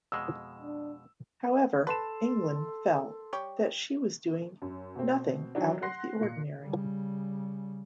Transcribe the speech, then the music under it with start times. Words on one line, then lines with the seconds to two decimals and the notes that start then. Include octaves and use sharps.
However, England felt that she was doing "nothing out of the ordinary".
0.12 F2 B2 G#3 E6
0.61 D4
1.87 A4 B4 A5 C6 E7
3.33 G3 G4 C#5
4.62 F#2
4.96 B2 C4
5.55 D#3 F#3 D4
5.82 F#5 C6 F#6 A#6 C7
6.21 A#2 C#7
6.59 C#3 G3